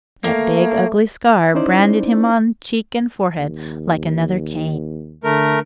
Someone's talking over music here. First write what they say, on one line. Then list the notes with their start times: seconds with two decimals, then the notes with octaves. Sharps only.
That big, ugly scar branded him on cheek and forehead like another Cain.
0.24 A3 A#3
1.55 C#4 D#4 E4 C5 D5
3.36 D#2
5.24 D3 A3 A#4